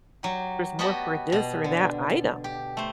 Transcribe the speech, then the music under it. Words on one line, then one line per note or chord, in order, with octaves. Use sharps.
more for this or that item."
F#3 G4
B3 F#4 G4 D#5 A5 B5
B2
D3
G4
A3 C5